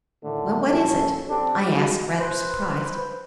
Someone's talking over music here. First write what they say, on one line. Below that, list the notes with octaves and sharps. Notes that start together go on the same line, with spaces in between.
"Well, what is it?" I asked, rather surprised.
A2 D3 D#3 A3
A#1 F#2 F3 C#4 A4
C4 D4 G4 A4
G#3 D#4 F4 F#4
B4 C5